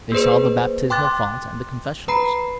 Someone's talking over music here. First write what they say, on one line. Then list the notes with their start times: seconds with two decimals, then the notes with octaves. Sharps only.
They saw the baptismal font and the confessionals.
0.12 A#3 G#4 B4 C5
0.90 G5 C6 D6 F#6 A6
2.08 B4 A#5 B5 C7